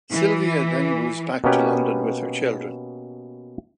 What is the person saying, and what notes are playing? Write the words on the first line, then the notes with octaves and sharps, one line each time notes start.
Sylvia then moves back to London with her children.
E3
B2 A#3 B3 C#4 G4 B4